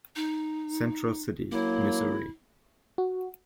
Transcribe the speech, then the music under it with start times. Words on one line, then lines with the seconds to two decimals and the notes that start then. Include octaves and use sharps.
Central City, Missouri.
0.16 D#4
1.52 F#2 F#3 A#3 E4
2.98 F#4